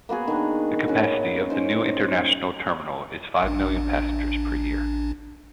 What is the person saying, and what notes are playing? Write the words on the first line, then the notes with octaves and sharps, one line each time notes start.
The capacity of the new international terminal is five million passengers per year.
A#3 B3 F#4 G#4
D#3 D4
C#4 F#4
C#4 D#4 C5
A1 D4